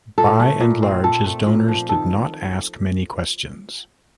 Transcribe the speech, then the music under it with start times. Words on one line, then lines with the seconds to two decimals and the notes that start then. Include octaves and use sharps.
By and large his donors did not ask many questions.
0.18 A#2 A4
0.40 A3
0.60 A#2
0.82 C4
1.04 A#2 A4
1.25 A3
1.47 A#2
1.68 F3
1.89 D#3 A4